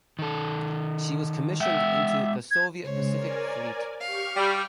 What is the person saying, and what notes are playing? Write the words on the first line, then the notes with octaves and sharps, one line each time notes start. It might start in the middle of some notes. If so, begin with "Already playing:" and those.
She was commissioned into the Soviet Pacific Fleet.
D#3 A4
G#3 E5 F#5 G5
G#6
C#3 G#3 C5 C#5
A#4 D5 G#5
G4 F5 C#6 F6
G3